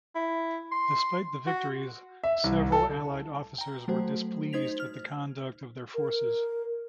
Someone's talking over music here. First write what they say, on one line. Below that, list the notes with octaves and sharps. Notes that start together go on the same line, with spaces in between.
Despite the victories, several allied officers were displeased with the conduct of their forces.
E4
C6
F#4
E5
C2
A4
G5 A#5
F#3 A3 F#4 C5
D#4 C5 G#6 B6 F7
F6
A#4